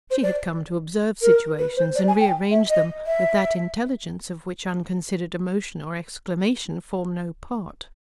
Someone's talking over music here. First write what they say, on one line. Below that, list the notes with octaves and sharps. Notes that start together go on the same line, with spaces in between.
She had come to observe situations and rearrange them with that intelligence of which unconsidered emotion or exclamation form no part.
C5
D5
A#4
B4
C5
D5
G#5
G5
E5
D#5
E5